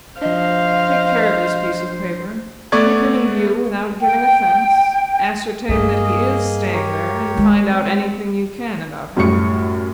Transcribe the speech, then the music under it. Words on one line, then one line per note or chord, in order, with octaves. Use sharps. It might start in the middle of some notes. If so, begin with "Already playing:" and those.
'Take care of this piece of paper, keep him in view without giving offence, ascertain that he IS staying there, and find out anything you can about him.'
F3 D4 C5 D#5 F5
A3 B3 B4 D5 C#6 G#6
G5
G2 A#3 G#4 D#5
G4 A#4 C#5
G#3
C4
F#2 A2 G3 C#6 C#7